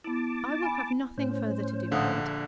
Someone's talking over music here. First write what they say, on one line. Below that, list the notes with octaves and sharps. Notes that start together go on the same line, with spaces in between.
I will have nothing further to do with it.
B3 E4 A5 D6
G#5 B5
A2 C#4 C5
A#1 D3 F5 F#5 D#6